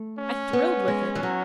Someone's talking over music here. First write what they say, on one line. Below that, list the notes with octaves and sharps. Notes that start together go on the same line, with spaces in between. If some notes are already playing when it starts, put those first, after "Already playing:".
I thrilled with it.
Already playing: A3
C#4
B3
G#3
E3
F#3